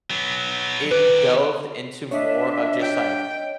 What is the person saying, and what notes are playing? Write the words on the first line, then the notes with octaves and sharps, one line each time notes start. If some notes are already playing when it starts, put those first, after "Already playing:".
it delved into more of just, like,
F#3 B3
D#3 B4 D5
D4 C#5 D#5 E5
G5